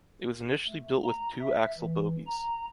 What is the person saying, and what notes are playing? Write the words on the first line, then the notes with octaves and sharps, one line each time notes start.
It was initially built with two-axle bogies.
A3
A#5
E5
E3
A#5